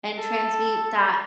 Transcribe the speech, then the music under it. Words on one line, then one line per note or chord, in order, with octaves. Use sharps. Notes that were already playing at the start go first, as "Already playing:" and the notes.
and transmute that
A4